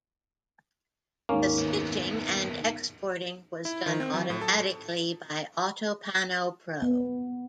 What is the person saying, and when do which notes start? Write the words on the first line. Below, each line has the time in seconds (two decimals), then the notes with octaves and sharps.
The stitching and exporting was done automatically by Autopano Pro.
1.29 D#2 G#2 A#3 C#4
1.58 D#3 B3
3.65 E4
3.86 D#3
4.00 C4
4.14 F#3
4.30 A2
4.41 A4
6.82 B3